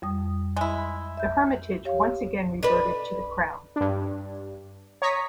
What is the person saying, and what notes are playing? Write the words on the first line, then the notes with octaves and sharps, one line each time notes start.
The Hermitage once again reverted to the Crown.
F2 G3 D#6
G#3 E4
E5 G6
G4 C#5 F5
D4 B4
G2 D4
C#5 A#5 C#6 D#6 A#6 B6